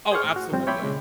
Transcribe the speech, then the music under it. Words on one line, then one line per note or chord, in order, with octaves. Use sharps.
Oh, absolutely.
G#4 C5 D5 C6 C#6 F6
A2
F#4
A2 F3 G3 C4
C#5 E5 G5 B5 C6 D6
A#2 C#3 G#3